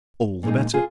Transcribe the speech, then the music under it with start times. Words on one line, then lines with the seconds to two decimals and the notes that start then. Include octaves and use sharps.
All the better.
0.43 A#2 F3 G#3 C4 D#4
0.74 F4 G#4